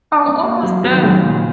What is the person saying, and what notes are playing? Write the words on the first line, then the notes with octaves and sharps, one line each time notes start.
I'm almost there.
B3
A#3
F#3
F#3
D#3
C#3
A#2